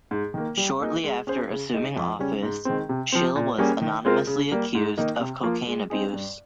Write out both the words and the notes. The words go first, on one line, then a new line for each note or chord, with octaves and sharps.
Shortly after assuming office, Schill was anonymously accused of cocaine abuse.
G#2
D#3 A#3
G3
A#3 D#4 G#4
G#3
C#4 G#4 C5
C#3
G#3 D#4
F2
C#3 G3 C#4
G#2
D#3 G#3 C4
C3
F3 C4
A#2
G3 A#3 C#4 G#4
D#3
G#3 C4 F4 A#4
C#3
G3 A#3
G#2
D#3 A#3 D#4
C3
F3 A#3 F4
G#3
C4 D#4 G#4
G2